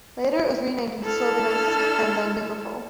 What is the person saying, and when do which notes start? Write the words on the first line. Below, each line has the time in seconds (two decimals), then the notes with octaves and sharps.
Later it was renamed into Slovianske and then Nikopol.
1.03 D4 E4 A4 A5 E6 F6